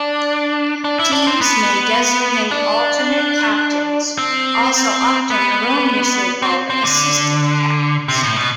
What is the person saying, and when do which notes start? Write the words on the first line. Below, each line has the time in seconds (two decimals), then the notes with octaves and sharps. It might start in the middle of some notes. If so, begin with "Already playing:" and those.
Teams may designate alternate captains, also often erroneously called "assistant captains".
Already playing: D4
0.84 D4
0.99 E4
1.12 D4
1.27 C4
1.41 B3
2.51 D4
4.18 C4
5.30 B3
6.42 C4
6.70 C4
6.83 D3
8.08 C3
8.23 A2
8.37 B2